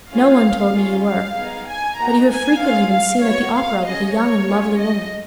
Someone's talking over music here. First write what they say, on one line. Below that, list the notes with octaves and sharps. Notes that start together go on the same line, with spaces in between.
"No one told me you were, but you have frequently been seen at the opera with a young and lovely woman."
C#4 F4 G#4 F5
C#4 F4 G#4
F5
B3 D#4 G#4
G#5
A#3 D#4 F#4 A#5
G#5
C#4 F4 G#4 F5
F5
B3 F#4 C#5
F5
C#4 G#4 D#5
C#5
C#4 F4 G#4
D#5